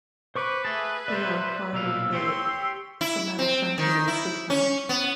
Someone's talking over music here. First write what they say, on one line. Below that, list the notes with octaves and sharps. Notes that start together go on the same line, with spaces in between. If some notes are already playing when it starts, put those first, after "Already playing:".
They are a part of the somatosensory system.
B4 C5 C#6 D6
G#4 E5 A5
C5 D5 E5
B1 A#2 F5 E6
G4 C#5 C6
E4
C4
D#3
E4
C#4
B3